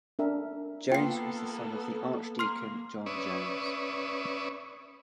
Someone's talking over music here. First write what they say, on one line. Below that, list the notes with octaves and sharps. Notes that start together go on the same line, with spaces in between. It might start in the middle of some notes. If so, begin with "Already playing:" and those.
Jones was the son of the Archdeacon John Jones.
D4 A#4 E5
A#3 B3 F4 A4 G5 C7
A#3 C6 F6 C7
C#4 B4 D5 E5 C#6 D#6